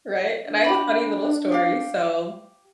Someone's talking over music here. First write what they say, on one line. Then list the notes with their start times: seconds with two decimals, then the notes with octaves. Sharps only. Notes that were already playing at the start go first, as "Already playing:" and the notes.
Right? And I have a funny little story, so
0.45 D4
0.64 G4 B5
1.52 G4 F5